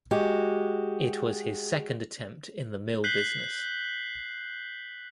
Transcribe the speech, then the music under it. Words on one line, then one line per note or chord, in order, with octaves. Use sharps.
It was his second attempt in the mill business.
G#3 F#4 G4
F#6 G6 B6 C7 F#7 G7